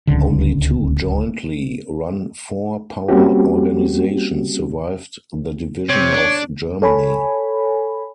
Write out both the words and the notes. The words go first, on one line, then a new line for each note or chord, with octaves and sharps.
Only two jointly-run four-power organizations survived the division of Germany.
D1 C#2 D3
G3 A#3 C4 C#4 F#4 G4
C3 C#5
D4
A4 C#5 G#5 B5